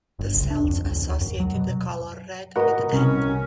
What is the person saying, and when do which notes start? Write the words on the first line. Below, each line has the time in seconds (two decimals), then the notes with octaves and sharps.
The Celts associated the colour red with death.
0.19 G1
0.34 C#2
0.50 D4
0.64 F2
0.84 C#2
0.95 E2
1.07 D#2
1.21 F#2
1.40 F#3
1.54 B2
2.56 F#4 A#4 B4 D#5 F#5
2.93 C2 C#4